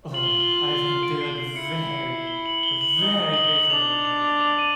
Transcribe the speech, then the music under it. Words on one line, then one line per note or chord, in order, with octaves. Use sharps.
Oh, I’ve endured very, very bitter misery, Nelly!
F4 F#7
G7
F#7
G7
F#7
D7
C7
C7
E4 C#7
G7
F#7
G7
F#7
D#4 G7
F#7
G7
F#7
D4 F7
F7
F7
D#7